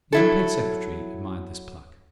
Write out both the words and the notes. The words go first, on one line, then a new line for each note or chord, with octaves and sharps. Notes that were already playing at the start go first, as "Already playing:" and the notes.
The unpaid secretary admired this pluck.
F#3 E4 A4